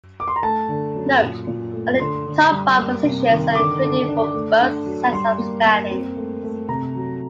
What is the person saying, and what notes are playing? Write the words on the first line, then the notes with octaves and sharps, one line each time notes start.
Note, only the top five positions are included for both sets of standings.
D6
C6
A#5
A3 A5
D3
F#2
A#2
A#2
A3
D3 C6
D3
G3
A#3
C3
D#3
D3 D6
D3
D4
A3
D4
F#3
G3 C6
A#3
A#3
C4
A3
A3
C3 A#5
F#3